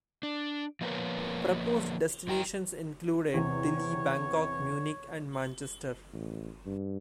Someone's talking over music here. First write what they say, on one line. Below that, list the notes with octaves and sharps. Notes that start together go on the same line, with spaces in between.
Proposed destinations included Delhi, Bangkok, Munich and Manchester.
D4
F3 A#3 B3 A#4 B4 C#5
F#2 E4 G5 A#5
E2 C3 C#5
A1
G2